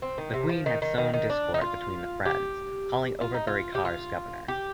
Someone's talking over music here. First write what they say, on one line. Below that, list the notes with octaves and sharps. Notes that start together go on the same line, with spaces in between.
The Queen had sown discord between the friends, calling Overbury Carr's governor.
C4
D#3
C3
F3
D#3
D#3
D#3
D#3
D4
D#4
F4
G4
F4
D#4
F4
G4
F4
G4